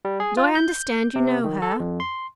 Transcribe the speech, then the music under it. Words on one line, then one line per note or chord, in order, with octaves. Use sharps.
"Do I understand you know her?"
G3
G#4
F4
G6
C3
D#3
A4
F2
C6